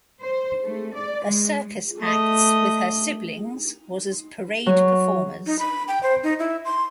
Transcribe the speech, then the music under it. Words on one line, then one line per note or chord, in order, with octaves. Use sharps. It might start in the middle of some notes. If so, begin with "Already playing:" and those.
Her circus acts with her siblings was as "parade performers".
C5
A3
D5
G#3
A3 D#5
F#3
D#4
B5
G5
C5
D#4
E4
C6